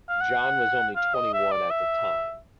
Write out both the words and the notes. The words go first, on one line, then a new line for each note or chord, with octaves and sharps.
John was only twenty-one at the time.
F5
F#5
F5
D#5
E5
D5
E5